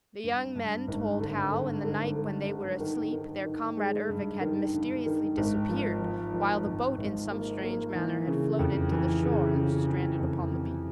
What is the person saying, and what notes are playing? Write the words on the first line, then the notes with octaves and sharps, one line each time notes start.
The young men told how, in the night when they were asleep, their comrade Ervic had mysteriously disappeared, while the boat in some strange manner had floated to the shore and stranded upon the beach.
G2
G2
G#1
D3
D3
D3
D3
D3
D#3
D#3
D#3
G#3
G2
D#3
G2
D#3
G#1
F3
F3
F3
G#1
G#1
A#3
A#3
E3
C#3
F2
E3
C#3
C#3
E3
F2
C3